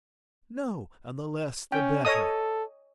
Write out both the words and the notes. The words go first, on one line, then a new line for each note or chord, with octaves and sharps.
No; and the less the better.
C#4 G5
A4 C#5 D#5 D#6